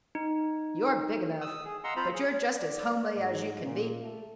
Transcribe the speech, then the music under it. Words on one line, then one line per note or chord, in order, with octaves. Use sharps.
You're big enough, but you're just as homely as you can be.
D#4
D#6 E6
G#4
D#5 F5 F#5 A#5 C6 E6
C4 F4 C5 A#5 B5
G#4
D5
G#2
A#2
A3